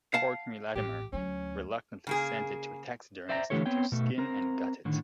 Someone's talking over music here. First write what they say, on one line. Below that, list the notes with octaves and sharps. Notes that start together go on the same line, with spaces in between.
Courtenay-Latimer reluctantly sent it to a taxidermist to skin and gut it.
F5 F#5 A5
A1 G4
D2 F#3 C#4
C#3 A#3 G#4
C5 D5 E5 G5 G#5 A#5
D3 E3 A3 G4 A4 C#5
B3 C4 C#5 G5
B2 A3
C4 A#4 A#5
A2 D3 D#3